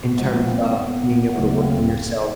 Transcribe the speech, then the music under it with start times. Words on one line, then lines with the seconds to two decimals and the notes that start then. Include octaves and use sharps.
in terms of being able to work on yourself,
0.18 A#2 F3 G#3 B3
0.47 A#3 C4
0.77 B3
1.34 D2 C#3 F#3 A3 B3
1.62 A#3 C4